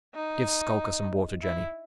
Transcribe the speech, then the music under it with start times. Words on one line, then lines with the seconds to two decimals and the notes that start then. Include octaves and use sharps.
Give Skulker some water, Jenny.
0.15 D#4
1.43 E4